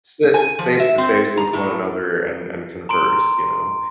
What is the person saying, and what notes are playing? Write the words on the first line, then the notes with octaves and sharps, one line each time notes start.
sit face-to-face with one another and and converse, you know?
G#5
F3
E5
C4
A#5
A2
A#5 C6 D7